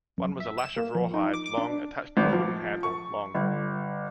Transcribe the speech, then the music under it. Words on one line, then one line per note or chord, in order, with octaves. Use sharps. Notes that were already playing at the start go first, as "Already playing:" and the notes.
One was a lash of rawhide, long, attached to a wooden handle, long.
F#2
E5
E7
A#3
F3
D#4
D6
D6
D4
G#1
F3
C#6
G1